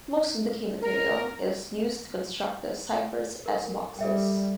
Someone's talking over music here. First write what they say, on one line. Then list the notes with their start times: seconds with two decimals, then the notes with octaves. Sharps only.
Most of the key material is used to construct the cipher's S-boxes.
0.81 A#4
3.46 A4 A#4
3.99 G3 A4 E5 G5